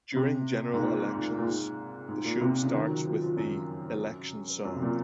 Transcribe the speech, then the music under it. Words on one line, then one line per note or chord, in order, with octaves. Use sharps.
During general elections, the show starts with the 'election song'.
C#3
C3
G#2
A#2
G#2
A#2
G#2
G#2
A#2
C3
C#3
D#3
F#3
F3
F3
F#2
F#2
C3
A#2